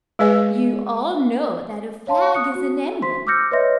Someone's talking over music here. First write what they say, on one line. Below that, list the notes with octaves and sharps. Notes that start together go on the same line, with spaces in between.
You all know that a flag is an emblem.
G#3 G#4 B4 D#5 G#5
C#5 F5 A5 C6
D#6 F#6 C#7
F#4
C5 C6 B6
D6 E6 F6 G6 A#6 C#7
B4 C#5 D#5 E5 C6 A#6